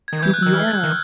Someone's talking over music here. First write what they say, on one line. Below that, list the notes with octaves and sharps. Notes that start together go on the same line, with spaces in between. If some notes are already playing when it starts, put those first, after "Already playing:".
M yeah.
G#6
D#3
G#6
E3 G6
F#6
D#3 E6
E3 F6
D#3